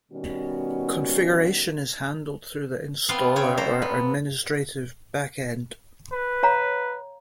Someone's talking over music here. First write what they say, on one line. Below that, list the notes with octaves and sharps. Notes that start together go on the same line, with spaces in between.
Configuration is handled through the installer or administrative back-end.
B2 D#3 G3 B3 C#4 F#4
B3 C4 F4 F5 C6
C#3 C4 C#5
A4 C5 A#5
B3
B4
C#5 F5 A#5